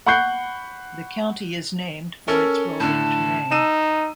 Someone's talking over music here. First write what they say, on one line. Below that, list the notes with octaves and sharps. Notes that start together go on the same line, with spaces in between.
The county is named for its rolling terrain.
F#5 B5 C#6 F#6 G6 C7
C#4 A4 A#4
A2 D3 A5
D#4 E6 D#7 E7